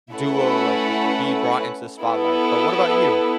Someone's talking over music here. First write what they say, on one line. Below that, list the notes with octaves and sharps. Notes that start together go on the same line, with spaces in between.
duo, like, be brought into the spotlight. But what about you?
A3 C#4 E4 B4 F#5
B3 E4 A4